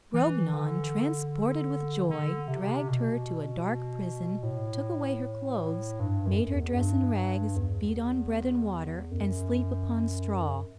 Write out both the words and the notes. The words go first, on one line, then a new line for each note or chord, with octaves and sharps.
Grognon, transported with joy, dragged her to a dark prison, took away her clothes, made her dress in rags, feed on bread and water, and sleep upon straw.
E3
D3
D3
C3
B2
A2
G2
F#2
E2
F#2
G2
E2
F#2